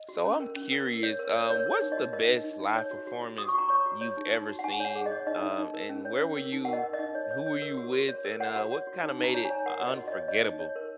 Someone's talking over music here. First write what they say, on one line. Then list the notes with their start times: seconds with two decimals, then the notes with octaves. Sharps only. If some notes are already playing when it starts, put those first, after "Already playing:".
So I'm curious, um, what's the best live performance you've ever seen, um, and where were you who were you with, and, uh, what kinda made it u unforgettable?
Already playing: D#5
0.09 F#4
0.25 C#4
0.40 A#4
0.56 C#4
0.72 A#4
0.87 A#4
1.03 C#5
1.19 A#4
1.35 C#5
1.50 A#4 C#5
1.66 A#4
1.71 C#5
1.82 D#4
1.92 D#5
1.97 F#4
2.13 A#4 D#5
2.29 D#4
2.44 D#4
2.60 D#4
2.76 C#5
2.91 F#4
3.07 F#4
3.23 F#4
3.38 F#4 D#6
3.49 C#6
3.54 F#4 A#5
3.69 C#5 C#6
3.86 F#4
4.01 C#5
4.17 D#4
4.32 D#4
4.48 F#4
4.59 F#5
4.64 D#4 G#5
4.80 C#5 F#5
4.95 G#4
5.06 D#5
5.11 C#5
5.27 D#4 D#5
5.42 D#4
5.58 D#4
5.74 A#4
5.89 C#4
6.05 C#5
6.21 C#4
6.36 A#4
6.52 D#4
6.65 F#5
6.68 A#4
6.73 D#5
6.83 A#4
6.93 D#5
6.99 D#4
7.15 C#5
7.31 C#5
7.46 C#5
7.62 A#4
7.77 F#4
7.93 F#4
8.09 C#5
8.24 A#4
8.40 C#5 F#5
8.56 F#4
8.72 C#5
8.87 F#4
9.03 D#4
9.19 D#4
9.24 A#5
9.34 C#5 A#5
9.45 C#5 G#5
9.66 A#4 F#5
9.82 F#4 D#5
9.97 F#4
10.08 D#5
10.13 C#5
10.28 C#5 D#5
10.44 D#4
10.60 C#5
10.76 A#4